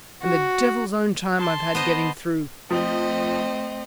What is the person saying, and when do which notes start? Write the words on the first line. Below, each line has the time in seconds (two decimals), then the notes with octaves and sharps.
And the devil's own time I've had getting through.
0.21 F#4
1.39 A5 C6
1.75 B3 C5 D#5
2.71 F3 A3 C4 D#5